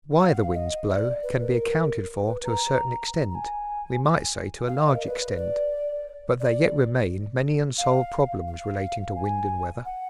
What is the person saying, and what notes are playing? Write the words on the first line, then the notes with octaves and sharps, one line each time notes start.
Why the winds blow can be accounted for to a certain extent,--we might say to a large extent,--but there yet remain many unsolved problems relating to wind and weather.
F#5
F5
D#5
D#5
D5
B4
A#4
B4
A#5
A#5
G#5
F5
D#5
A#4
D5
B4
D5
D5
F5
F5
G#5
F#5